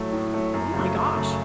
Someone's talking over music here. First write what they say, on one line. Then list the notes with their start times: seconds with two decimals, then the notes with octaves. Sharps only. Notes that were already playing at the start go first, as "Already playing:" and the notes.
Oh my gosh.
Already playing: A2 F#3 A3
0.13 A2
0.33 F#3 A3
0.54 F#2
0.74 C#3 F#3 A3
0.95 F#2
1.14 C#3 F#3 A3